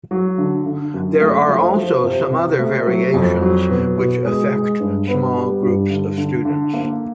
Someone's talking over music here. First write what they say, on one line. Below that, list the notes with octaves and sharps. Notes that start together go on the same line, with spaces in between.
There are also some other variations which affect small groups of students.
F#3
D3
D3
F#2
A3
F3
F3
C3
C3
A3
F#3
F2
F#3
B2
B2
G#3
G#3
G2
B3
G3
G2
D3
D3
D3
A#3